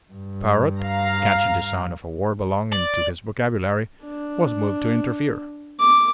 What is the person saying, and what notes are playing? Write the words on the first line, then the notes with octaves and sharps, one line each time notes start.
The parrot, catching the sound of a word belonging to his vocabulary, was moved to interfere.
G2
F5 A#5
D5
D4
D6